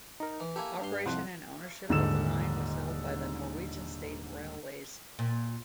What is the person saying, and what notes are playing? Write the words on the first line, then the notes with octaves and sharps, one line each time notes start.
Operation and ownership of the line was held by the Norwegian State Railways.
D#4 A#4
E3
A#3 E4 G4 A4 G#5
G2 D4 C6
C2 F2 F#5 C6 F#6
D#1 G#2 D3 E7
A#2